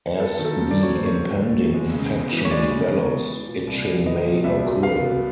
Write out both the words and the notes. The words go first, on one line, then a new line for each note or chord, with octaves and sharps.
As the impending infection develops, itching may occur.
B3 A4
D#3
A4
D#2
D5
F#3
C#5
B3 C5
C#5
D#3
D#2
F#3
G#3
C#3
E2
E3
C#5
G#3 D5
C#3
E2
E3
B3
A#2
C2
F#3
B3 D#5
A#2
C2 E5
F#3
B3 F5
B2